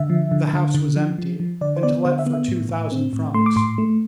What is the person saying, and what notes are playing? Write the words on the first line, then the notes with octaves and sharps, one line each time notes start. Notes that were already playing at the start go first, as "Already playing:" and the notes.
The house was empty, and to let for two thousand francs.
Already playing: D3 E5
F3
D3
D3
D3
F3
F3
F3
D3 D5
C5
B3 D5
D3 C5
E5
B3
E5
A2
A2
C4
A2
A3 C6
D6
A2 C6
A3